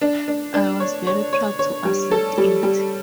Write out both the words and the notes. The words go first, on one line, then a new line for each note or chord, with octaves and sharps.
I was very proud to accept it.
D4
D4
D4
C#5
C#5
C#5
C#5
G3
A4
G3
G3